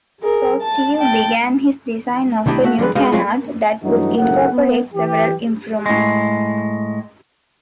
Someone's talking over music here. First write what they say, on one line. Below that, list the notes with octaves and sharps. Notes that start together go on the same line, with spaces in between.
So Steve began his design of a new canard that would incorporate several improvements.
G#4 A#4
A5
G5 A5
C2 D#3 D4 E4 G4 D#5
A3 F#4 E5 F#5
D3 F3 G3 G#3 B4
G#3 B3 D#4 F#4 F5
F#3 G#3 C4 F4 G#4
G2 E3 F#3 A3 D#4 F#4
F#1 D#2 A2 A#4 F#5
B3
E3 G4
A2 G#3